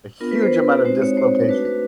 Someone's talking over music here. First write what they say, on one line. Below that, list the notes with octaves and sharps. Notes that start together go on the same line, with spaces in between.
a huge amount of dislocation.
B3 D4 F4 A#4
B4
C5
B4
G#3 C4 D#4 F#4 C5
C#5
C5
A3 D4 F#4 B4
B4